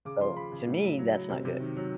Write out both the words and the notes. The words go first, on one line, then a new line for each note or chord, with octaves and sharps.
So, to me, that's not good,
C#3 D6
F3 C6
C#3 B5
C#3
A2
F#3
F#3
F#3
C3
C3
D#3
F#3